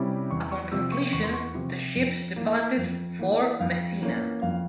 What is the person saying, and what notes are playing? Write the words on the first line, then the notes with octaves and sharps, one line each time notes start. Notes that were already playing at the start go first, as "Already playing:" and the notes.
Upon completion, the ships departed for Messina.
Already playing: C3 G3 C#4 E4
E2 C#6
C#6
C3 F3 E6
C#6
E2 C#6
C6
C#6
C3 F3
F2
E3 A#3
F2
E3 A#3
F2 F5
E3 A#3 C#4
F2 F5